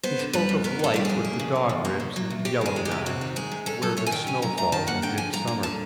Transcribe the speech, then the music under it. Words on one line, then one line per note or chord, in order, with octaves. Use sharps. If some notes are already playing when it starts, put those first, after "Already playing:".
He spoke of life with the Dog Ribs and Yellow Knives, where the snow falls in midsummer.
B3 C5
D3
G3 B4
F2
B3 A#4
D3 A4
G3 G4
F2 G#4
A#3
C#3
F#3
E2
A#3
C#3
F#3
E2
C4 G4
D#3 G#4
G#3
G4
C3
C4 F#4
D#3
G#3 G#4
C3
C#4 A4
F#3 A4
A3 C#5
G#5
D#3 G5
C#4 G#5
F#3 A#5
A3 A#5
D#3 A5
A#3 F#5
D3 G5
F3 G#5
G2 A#5
A#3 A#5
D3 A5